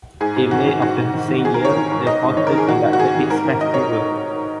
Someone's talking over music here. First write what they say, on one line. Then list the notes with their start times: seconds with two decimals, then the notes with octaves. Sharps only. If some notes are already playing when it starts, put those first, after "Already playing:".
In May of the same year the portal conducted its festival.
0.21 G#2 G#4
0.36 G#2
0.51 D#3 F#4
0.66 D#3 G#4
0.82 G#2 F#4
0.97 G#2
1.14 D#3
1.28 D#3
1.44 D#3 G#4
1.54 A#4
1.60 G#2 C#5
1.76 D#3
1.91 G#2
2.06 G#2 D#5
2.22 G#2
2.37 D#3 C#5
2.47 A#4
2.52 D#3
2.58 G#4
2.68 D#3 F#4
2.84 G#2
2.93 F#4
2.99 D#3 G#4
3.15 D#3
3.29 G#2 A#4
3.45 D#3
3.61 G#2 D#5
3.74 C#5